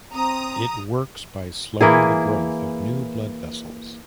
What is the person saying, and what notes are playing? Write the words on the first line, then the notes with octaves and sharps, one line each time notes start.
It works by slowing the growth of new blood vessels.
C4 A#5 D#6
E3 A#3 E4 G#4